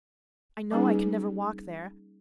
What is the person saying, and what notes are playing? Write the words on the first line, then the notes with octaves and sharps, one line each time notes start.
I know I can never walk there.
G3 A#3 C#4 D#4 G#4 B4